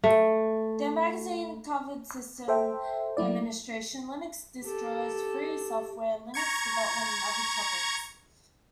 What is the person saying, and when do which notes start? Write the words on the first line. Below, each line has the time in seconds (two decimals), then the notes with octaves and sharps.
Their magazine covered system administration, Linux distros, free software, Linux development and other topics.
0.03 A3
2.48 A4 C5 E5 G5
3.17 F#3 A3 E4 D5
4.64 G4 A4
6.34 A#5 C#6 G#6